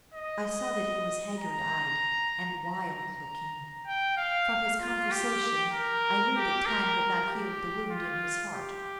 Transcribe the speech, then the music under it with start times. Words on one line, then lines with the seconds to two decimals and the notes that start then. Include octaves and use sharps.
I saw that he was haggard-eyed and wild-looking. From his conversation, I knew that time had not healed the wound in his heart.
0.14 D#5
1.38 A#5
2.63 A#5
3.86 G5
4.17 F5
4.80 F4
5.11 G4
5.73 A#4
6.36 G4
6.66 A#4
7.28 G4
7.91 F4
8.53 G4